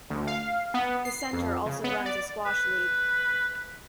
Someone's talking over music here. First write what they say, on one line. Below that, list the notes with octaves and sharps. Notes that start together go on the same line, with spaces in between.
The centre also runs a squash league.
D2
F5
B3
C7
F2
C#3
B3
D5
B4